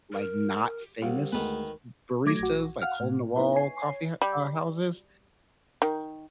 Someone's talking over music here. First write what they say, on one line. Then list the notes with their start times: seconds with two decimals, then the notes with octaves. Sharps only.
like not famous baristas, like, hole in the wall coffee hou houses,
0.13 A#4
1.02 C2 F5 F#5
1.32 D2 D#3 G#3 B4 F#5
2.25 F#3 A3 D6 G#6 A#6
2.39 A#1 F#4
2.82 F5 F#5 F6
3.00 A2
3.36 B3 D#4 E4 B4
3.56 C#5 G#5 C7
4.22 G3
5.82 D#3